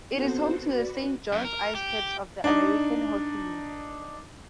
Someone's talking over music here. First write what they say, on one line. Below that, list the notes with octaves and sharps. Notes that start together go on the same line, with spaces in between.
It is home to the Saint John's IceCaps of the American Hockey League.
B3 C4 F#4 A4 C5 F#5
F#4 B4 D5
F#2
A#4
G4
D4 D#4